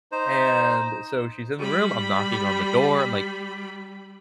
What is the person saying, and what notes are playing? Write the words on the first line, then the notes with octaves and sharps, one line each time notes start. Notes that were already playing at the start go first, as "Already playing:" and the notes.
and so, she's in the room, I'm knocking on the door, I'm like,
D#4 C5
G3 B5